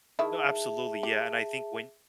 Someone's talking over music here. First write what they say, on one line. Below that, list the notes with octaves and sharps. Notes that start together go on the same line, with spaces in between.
no, absolutely, yeah, and I think when
D#3 E4 G#4 E5 A5
G4